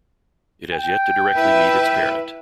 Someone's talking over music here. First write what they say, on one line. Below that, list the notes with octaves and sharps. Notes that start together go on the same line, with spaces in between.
It has yet to directly meet its parent.
G5
E4 B4 E5